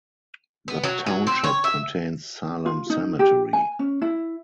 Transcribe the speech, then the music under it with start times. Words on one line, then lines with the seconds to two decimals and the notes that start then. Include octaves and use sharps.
The township contains Salem Cemetery.
0.68 B3
0.84 F#3
1.06 F#3
1.27 C4
1.44 C#5
1.64 E5
2.66 F4
2.90 D#4
3.19 G4
3.53 G#5
3.79 C#4
4.02 E4